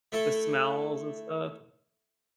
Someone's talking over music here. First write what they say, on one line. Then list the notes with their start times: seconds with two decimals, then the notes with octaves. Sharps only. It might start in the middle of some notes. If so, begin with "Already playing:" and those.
the smells and stuff?
0.12 A3 E4 A4